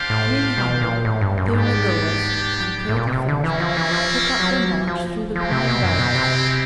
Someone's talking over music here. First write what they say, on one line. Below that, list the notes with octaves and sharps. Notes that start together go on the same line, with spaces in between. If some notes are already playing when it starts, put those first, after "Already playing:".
Three hundred Thirnagoas and thirty Frenchmen took up their march through the pine barrens.
Already playing: D4 G4 C5 F5
A2
B2
A#2
A2
G2
F#2
G2
G#2 B3 D4 G4
A2
A#2
B2
C3
D3
E3 G3 A#3 C#4 E4
F3
E3
F3
F#3
F3
F3 G#3 C4 E4 G4
C3
B2
F#2
B2
C3